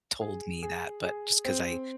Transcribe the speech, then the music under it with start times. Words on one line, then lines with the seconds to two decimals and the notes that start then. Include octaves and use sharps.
told me that, but just 'cause I
0.21 G#4
0.62 G#4
1.03 G#4
1.45 C4